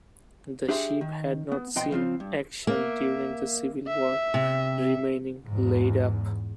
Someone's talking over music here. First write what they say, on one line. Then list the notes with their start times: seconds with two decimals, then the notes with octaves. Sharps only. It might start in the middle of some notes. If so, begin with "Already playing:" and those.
The ship had not seen action during the Civil War, remaining laid up.
0.69 D4 G4 G#4 E5 C6
1.01 D#3
1.52 B3
1.76 F2 B2 D#5 G5 C6
1.91 C#3 F3 C4 F4
2.20 G2
2.67 A#3 E5
3.88 E5
4.34 C3
5.46 E2 G#2